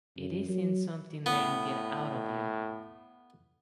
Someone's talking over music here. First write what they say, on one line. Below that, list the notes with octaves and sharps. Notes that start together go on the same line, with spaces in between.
It isn't something men get out of you.
F#2
F#3
A2 B3